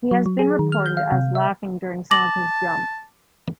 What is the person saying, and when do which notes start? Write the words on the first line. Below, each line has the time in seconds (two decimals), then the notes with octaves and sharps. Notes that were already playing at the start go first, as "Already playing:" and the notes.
He has been reported as laughing during some of his jumps.
0.11 F#3
0.26 F#3
0.39 G#4
0.59 D#3
0.72 F6
0.86 G6
0.97 F5
1.12 C3
1.35 E5
2.11 A5 D6 A#6 F#7